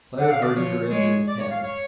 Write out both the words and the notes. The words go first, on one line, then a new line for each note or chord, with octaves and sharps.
Claire herded her into the cabin.
D3 F#5
F5
D5
F3 C#5
G#3 C#5
D5
C#5
F5
C#5